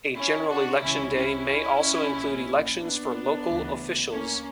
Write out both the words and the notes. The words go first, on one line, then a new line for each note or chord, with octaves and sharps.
A general election day may also include elections for local officials.
C#4 E4
D4 F#4
C#2 C#3 E3 C#4 E4
C#4 E4
A#1 A#2
B3 D4
D2 C#3 E3
A#3 C#4